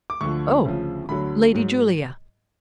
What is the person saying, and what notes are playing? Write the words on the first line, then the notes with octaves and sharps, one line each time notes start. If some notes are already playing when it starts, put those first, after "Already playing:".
"Oh, Lady Julia!"
D6
D2 D3 F3 C#6
D2 C#3 F3
D2 D3 F#3 B5
G#2 F#3